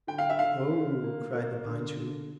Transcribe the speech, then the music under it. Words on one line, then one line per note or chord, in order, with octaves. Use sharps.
"Oh!" cried the pine tree.
D3 G5
F5
E5
D3 F5
D3
A#3
A#3
D3
D3